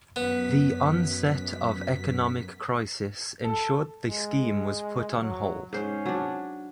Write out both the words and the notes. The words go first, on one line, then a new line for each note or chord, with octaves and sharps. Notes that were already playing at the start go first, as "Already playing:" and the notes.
The onset of economic crisis ensured the scheme was put on hold.
F#2 B3 B6
A4
G#3
F#3
G#2 C#4 C5
F#3 D4